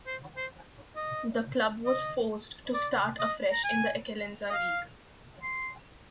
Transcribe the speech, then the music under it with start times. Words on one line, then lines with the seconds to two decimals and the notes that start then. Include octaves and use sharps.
The club was forced to start afresh in the Eccellenza league.
0.07 C5
0.37 C5
0.96 D#5
1.85 D#5
2.74 D5
3.19 D#5
3.52 A#5
3.64 G#5
4.50 D#5
4.53 F5
5.43 C6